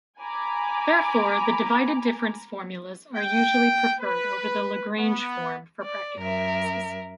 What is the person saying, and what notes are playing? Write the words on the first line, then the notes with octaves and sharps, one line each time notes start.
Therefore the divided-difference formulas are usually preferred over the Lagrange form for practical purposes.
G#5 A#5 B5 D6
G5
B4
B3
D5
F#2 A#4 E5